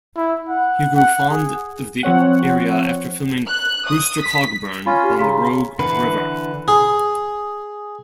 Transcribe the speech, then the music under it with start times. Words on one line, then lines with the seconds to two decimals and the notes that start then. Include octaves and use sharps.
He grew fond of the area after filming "Rooster Cogburn" along the Rogue River.
0.16 E4
0.49 F#5
0.96 F#5
1.30 G#4
2.03 F3 C4 C#5 F#5
3.48 F#6
3.88 D#6
4.23 B6
4.86 C#4 F4 B5
5.04 G4
5.19 C#3 A#5 C6 B6
5.79 D3 E3 B4 F#5
6.68 G#4